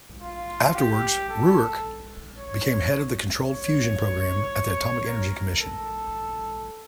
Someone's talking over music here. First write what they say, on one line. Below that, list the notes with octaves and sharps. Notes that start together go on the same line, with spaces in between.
Afterwards, Ruark became head of the controlled fusion program at the Atomic Energy Commission.
F4
G4
A4
C#5
C#5
A#4
A4